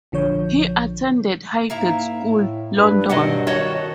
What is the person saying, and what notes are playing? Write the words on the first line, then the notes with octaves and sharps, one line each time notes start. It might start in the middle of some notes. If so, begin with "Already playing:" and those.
He attended Highgate School, London.
A#1 D3 F3 C#5 G6
G#2 A#3 E4 A#5
A2
G2 B4
B2 F#3 C4 F#4 D#5 F#5
D#3 F#4 A4 C#5 D#5 F#5